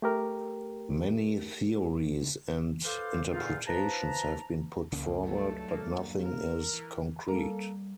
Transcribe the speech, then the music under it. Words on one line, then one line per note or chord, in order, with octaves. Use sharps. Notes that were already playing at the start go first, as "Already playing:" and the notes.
Many theories and interpretations have been put forward, but nothing is concrete.
A3 G4 A#4
F4 A4 B4 C5 F5 D6
E2 A#2 D3 D#4 F4
F3 B4 A5 A#5
C#2 C#3 A#3
G2 F#3 A3 A4
A#3
A#4
E3
G3 A#3 A4 A#4 A#5